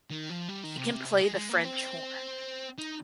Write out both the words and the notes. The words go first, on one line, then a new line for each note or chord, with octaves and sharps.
She can play the French horn.
D#3
F3
G3
D#3
C3
C3
C3
G#3
G#3
A#3
C4
D#4